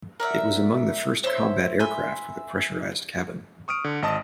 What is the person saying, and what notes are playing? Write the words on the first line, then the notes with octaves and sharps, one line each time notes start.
It was among the first combat aircraft with a pressurized cabin.
A#4 D5 E5 F#5
C5 C#5 E5 C6
E5 G#5 B5 C6
C#6 D#6 F6 D7
D3
G#1 D#5 A5 D#6